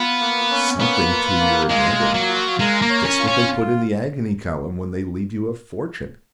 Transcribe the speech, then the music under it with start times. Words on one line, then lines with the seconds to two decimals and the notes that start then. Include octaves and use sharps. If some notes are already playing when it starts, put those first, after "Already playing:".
'Something to your advantage!' Just what they put in the agony column when they leave you a fortune.
Already playing: B3 F4
0.20 A#3
0.50 C#4
0.79 A#3 B3
1.10 F4
1.39 A#3
1.70 G#3 F4
2.00 A#3
2.14 F#3
2.29 F4
2.59 G#3 A#4
2.82 A#3
2.90 C#5
3.04 C#4
3.19 F4
3.27 C#4